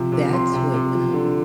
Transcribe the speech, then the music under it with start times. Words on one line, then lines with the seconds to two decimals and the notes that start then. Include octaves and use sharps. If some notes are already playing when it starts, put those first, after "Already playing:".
that's what, um
Already playing: C3 F3
0.12 C3
0.33 C3 C6
0.53 C3
0.73 C3
0.93 F3
1.14 D3